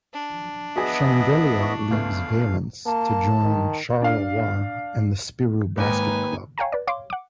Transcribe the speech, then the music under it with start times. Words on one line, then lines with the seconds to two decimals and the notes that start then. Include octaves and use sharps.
Shengelia leaves Valence to join Charleroi and the Spirou Basket Club.
0.13 D4
0.76 B3 F#4 G#4 D#5 E5
1.59 E4 C#6
1.91 C#2 A3 B3 F5
2.86 A#3 A5
3.43 D#3
4.02 D4 F5
5.78 D#2 G#2 D#4 B4 G#5
6.58 C#5 F5 G5 G#5 A#5
6.72 B4 D5
6.87 C#5 F5 C6 D6
7.10 F#5 D6